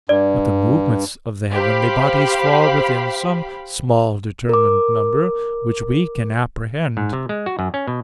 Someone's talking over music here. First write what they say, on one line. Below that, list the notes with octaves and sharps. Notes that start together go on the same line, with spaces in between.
But the movements of the heavenly bodies fall within some small determined number, which we can apprehend.
G2 D5
G4 C5 F5 B5
A#4 D6
G#2
C3
G#3
F#4
F#2
C#4
B2